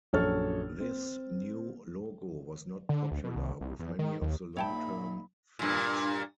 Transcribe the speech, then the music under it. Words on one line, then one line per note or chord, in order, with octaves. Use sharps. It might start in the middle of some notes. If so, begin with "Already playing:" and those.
This new logo was not popular with many of the long-term fans.
A#1 F#2 A4 C#5 F6 A6
C4
D3
D2
B2
C2
C2
E2
D#3
D#2
A#1 A#3 D#4 C#5 E5 G5 A5 B5
G2 A#2